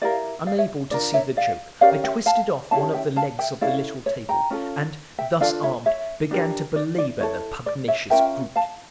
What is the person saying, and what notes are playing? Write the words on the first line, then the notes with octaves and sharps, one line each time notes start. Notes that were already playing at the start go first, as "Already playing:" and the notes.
Unable to see the joke, I twisted off one of the legs of the little table and, thus armed, began to belabor the pugnacious brute.
E4 G4 A#4 D5 F5
D5 F5
C#5 E5
D4 F4 A#4 D5
C#5 E5
D5 F5
C#4 G4 A#4 D5 F5
E5 G5
F5 A5
C#4 E4 G4 F5 A5
E5 G5
F5 A5
E5 G5
C#4 E4 A4 D5 F5
C#5 E5
G5 A#5
C#4 F4 A4
E5 G5
D4 F4 A4 D5 F5
C#5 E5
C#5 E5
D4 G4 A#4
D5
D5
E4 A4 C#5
D5
C#5 E5
C#4 F4 A#4 E5 G5
F5 A5